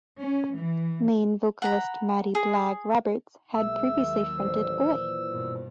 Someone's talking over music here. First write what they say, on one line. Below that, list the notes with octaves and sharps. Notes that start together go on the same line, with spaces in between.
Main vocalist Matty 'Blagg' Roberts had previously fronted Oi!
C#4
E3
F#5 A#5 B5
G#4
B1 G#3 A#3 E5 E6
D#2 F#3
A1 C5 D5
A#2 E3
G2 B2